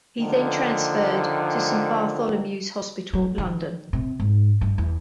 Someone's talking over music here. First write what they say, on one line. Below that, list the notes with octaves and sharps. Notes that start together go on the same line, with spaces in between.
He then transferred to Saint Bartholomew's Hospital, London.
D3 D#3 F3
F#3
D#3
C3
G#2
G2
E2